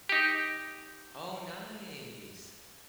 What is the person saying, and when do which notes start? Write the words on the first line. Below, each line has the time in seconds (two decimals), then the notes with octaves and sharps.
Oh, nice.
0.09 D#4 G4